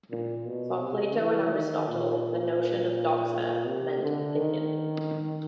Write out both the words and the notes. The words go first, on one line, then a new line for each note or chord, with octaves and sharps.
For Plato and Aristotle, the notion of "doxa" meant "opinion".
A#2
B2
C3
E3
D#3
A#2
C3
D3
D#3